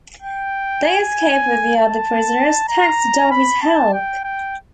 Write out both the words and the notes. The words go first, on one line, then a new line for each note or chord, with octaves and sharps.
They escape with the other prisoners thanks to Dobby's help.
G5
G#5
A5
A#5
B5
A5
G5
G5